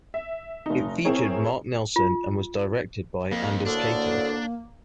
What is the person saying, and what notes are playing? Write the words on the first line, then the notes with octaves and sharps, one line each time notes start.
It featured Mark Nelson, and was directed by Anders Cato.
E5
F1 D#4
C4 E4 G#4 A#4 C#5
F4
F2 A#3
D2 A2 D3 D4